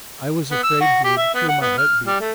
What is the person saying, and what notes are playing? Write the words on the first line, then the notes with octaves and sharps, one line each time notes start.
I was afraid he would hear my heart beat.
B3
E6
F#4
G4
E5
B3
F#5
B3
F6
G3
A3